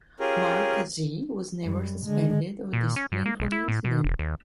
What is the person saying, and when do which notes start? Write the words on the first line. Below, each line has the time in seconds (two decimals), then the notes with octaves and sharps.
Markazi was never suspended or disciplined for the incident.
0.20 C#4 F4 G4 G#4 A#4
1.63 F#2 G3
2.05 D3 G#3
2.73 A#2
2.96 C#4
3.12 G2
3.26 A#3
3.40 B1
3.52 E4
3.68 A2
3.84 B2
4.04 E1
4.19 D#2